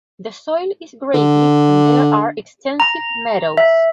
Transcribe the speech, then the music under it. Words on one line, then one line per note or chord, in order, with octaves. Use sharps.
The soil is gravelly and there are extensive meadows.
D3
A#5
E5